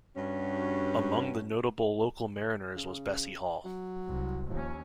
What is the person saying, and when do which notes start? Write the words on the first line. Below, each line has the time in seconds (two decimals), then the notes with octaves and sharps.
Among the notable local mariners was Bessie Hall.
0.16 G2 C#4 F#4
2.75 C#3
3.65 F#3
4.07 C2
4.50 D#2 F3 C#4